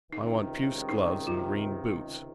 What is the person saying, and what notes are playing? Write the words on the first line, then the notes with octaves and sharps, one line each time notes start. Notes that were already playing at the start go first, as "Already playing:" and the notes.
I want puce gloves and green boots.
C#2 C3 D#3 D#4
D#4
F4